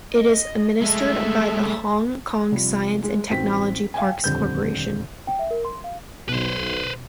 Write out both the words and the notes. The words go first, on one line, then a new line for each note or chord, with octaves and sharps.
It is administered by the Hong Kong Science and Technology Parks Corporation.
D#5
G#3 A3 A4 E5
C3 F3 G3
G#3
A1 C4 D#4 F#4 G5 B6
F5 G5 G#5
D#1 F2 D3 G3 C4 G6
G5
E5
A#4
C6
F5
B1 B2 B4 C5